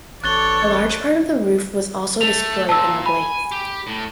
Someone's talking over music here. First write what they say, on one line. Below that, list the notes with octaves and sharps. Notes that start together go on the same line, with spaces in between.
A large part of the roof was also destroyed in the blaze.
A1 A4 C#5 D5 F#6 A6 G7
A3 F7
A#2 A5 E6
G#5 B5
G4
A2